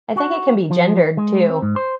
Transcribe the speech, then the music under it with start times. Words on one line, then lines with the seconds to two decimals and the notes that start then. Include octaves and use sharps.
I think it can be gendered too.
0.16 F#4
0.71 F3
1.17 G#3
1.49 C4
1.62 G#2
1.76 C5